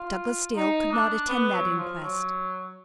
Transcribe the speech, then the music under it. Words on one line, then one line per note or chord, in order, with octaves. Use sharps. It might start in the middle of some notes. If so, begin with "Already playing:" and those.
Douglas Dale could not attend that inquest.
Already playing: F4
D#4
D4
B3
F#3
F3
F#3